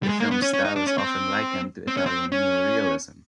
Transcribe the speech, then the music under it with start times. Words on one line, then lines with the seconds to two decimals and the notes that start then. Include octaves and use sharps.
The film's style is often likened to Italian neorealism.
0.03 G3
0.09 G#3
0.20 A#3
0.31 B3
0.42 C#4
0.53 C#4
0.65 D#4
0.76 D4
0.87 C#4
0.98 C4
1.87 C4
1.97 C#4
2.06 C4
2.32 C#4